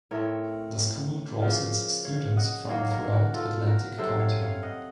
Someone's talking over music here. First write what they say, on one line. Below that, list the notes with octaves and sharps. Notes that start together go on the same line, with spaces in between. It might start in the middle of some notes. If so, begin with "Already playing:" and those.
The school draws its students from throughout Atlantic County.
A2 A3 C4 A#4 C#5
C#3 F3 A#3
C#5 F5
D#5 F#5
D#3 F#3 A#3 C#5 F5
A#4 C#5
F#4 A#4
F4 A4
F#4 A#4
C3 F#3 C4 A4 C5
C#5 F5
C#5 F5
D#5 F#5